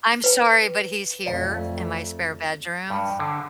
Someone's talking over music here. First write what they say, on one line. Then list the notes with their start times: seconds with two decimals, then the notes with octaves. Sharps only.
I'm sorry, but he's here in my spare bedroom
0.24 B4 G5
1.26 F2 A3 D5 F5 G5
2.90 G2
3.20 D3